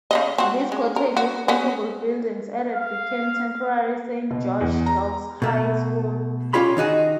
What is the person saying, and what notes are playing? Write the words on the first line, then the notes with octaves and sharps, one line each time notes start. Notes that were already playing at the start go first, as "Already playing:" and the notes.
This cottage with portable buildings added became the temporary Saint George Girls High School.
C#3 A#3 D#5
C4 F#4
G#3
A#4
F#4
B3 C#4 F#4
F5
B2
E2
A#5
B2 A3
C#4 F4 G4 C#5 B5 C6
D#3 D#4 F#4 G#4